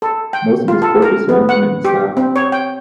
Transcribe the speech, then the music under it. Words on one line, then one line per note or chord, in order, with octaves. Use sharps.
Most of his portraits are intimate in style.
A4
G5
F4
A4
A#4
B3
F#5
G4
C4
C#5
G5